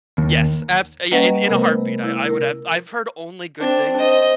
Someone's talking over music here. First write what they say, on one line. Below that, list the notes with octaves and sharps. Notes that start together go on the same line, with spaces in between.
Yes, abs yeah, in in a heartbeat, I I would have I've heard only good things,
D#2
G3 A#3 C#4 B4 D#5 F#5
C3 A3 B3 A#4 B4
E4
A#4
C4 D4
C5 D#5